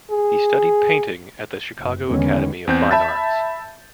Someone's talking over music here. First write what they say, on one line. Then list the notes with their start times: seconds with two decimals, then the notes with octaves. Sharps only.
He studied painting at the Chicago Academy of Fine Arts.
0.11 G#4
1.76 F#1
2.11 E2 D3 D#3 G#3 B3 C#4
2.67 E2 C4 G6
2.91 E5 A5 B5 G6 A6